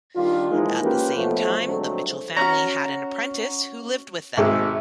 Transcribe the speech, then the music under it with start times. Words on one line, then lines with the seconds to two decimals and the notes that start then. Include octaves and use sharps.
At the same time, the Mitchell family had an apprentice who lived with them.
0.16 D#3 G3 D4 F4
0.51 E3 F3 G#3 A#3 D#4
0.82 A#3 C#4 F4 G4 A#4 B4
1.15 B1 F3 A3
1.65 D3 F3 F#3 G#3 A3 C4
2.37 C#4 F#4 A#5
4.37 G#1 G#3 E5